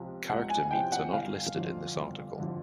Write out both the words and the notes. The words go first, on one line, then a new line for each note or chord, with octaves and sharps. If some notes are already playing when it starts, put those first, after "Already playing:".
Character meets are not listed in this article.
Already playing: C#2 C3 F3
C#2 F#5
G#5
G#5
C3 F3 G5
F#5
G1 F5
F2 D3 F3
G1
F2 D3 F3